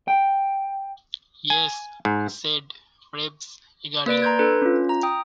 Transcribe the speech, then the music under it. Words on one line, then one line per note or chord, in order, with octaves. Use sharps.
"Yes," said Reeves eagerly.
G5
G#5
G#2
A#3 B4 D5 D7
A#5 C6 G6 G#6
D4 A4 B4
C#4 F4
A#5
G5 D#6